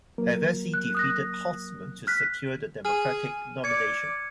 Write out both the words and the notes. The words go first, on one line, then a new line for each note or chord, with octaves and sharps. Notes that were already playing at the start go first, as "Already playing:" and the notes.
Hevesi defeated Holtzman to secure the Democratic nomination.
F#3 A#3 A#4
F#6
D#6 F#6 A#6
F6 F#6 B6
G#4 F6 D#7
D5 G#6 C#7